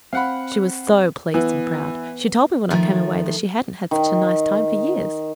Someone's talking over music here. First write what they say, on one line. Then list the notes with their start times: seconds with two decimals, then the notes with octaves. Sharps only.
She was so pleased and proud; she told me when I came away that she hadn't had such a nice time for years.
0.13 C4 F5 F#5 B5
1.34 E3 B3
2.70 D#3 F3 A3
3.91 D#3